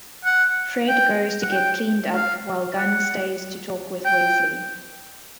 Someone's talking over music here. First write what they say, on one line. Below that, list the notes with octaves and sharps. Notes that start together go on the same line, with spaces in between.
Fred goes to get cleaned up while Gunn stays to talk with Wesley.
F#5
G5
F#5
G5
F5
F#5
G5